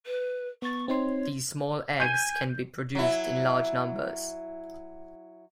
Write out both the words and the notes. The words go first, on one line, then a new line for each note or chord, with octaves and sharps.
These small eggs can be produced in large numbers.
B4
B3 C#6 A6
C4 D#4 C#5 C6
G#5 G6 D#7
F#3 E4